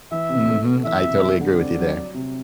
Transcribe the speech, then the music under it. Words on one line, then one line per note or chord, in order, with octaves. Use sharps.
Mhm, I totally agree with you there.
E3 E5
C3
A3
B2
E3 E5
C3
G3
D3
C4 D5
F#3
F#3
C3